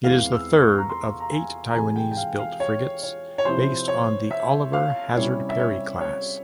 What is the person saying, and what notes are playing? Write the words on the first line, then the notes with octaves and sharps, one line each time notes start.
It is the third of eight Taiwanese-built frigates based on the "Oliver Hazard Perry"-class.
E2 E3 G#3 C4 F5
E6
C#6
A#5
C6
A#5
G#5
A#5
C3 E3 G#3 G#5
G5
G5
F5
F5
C#5
C#5
C#5
C3 F3 C4 E4 C5
C#5
E5
F5
C3 G3 C#4 E4 C#5
E5
C#5
C#5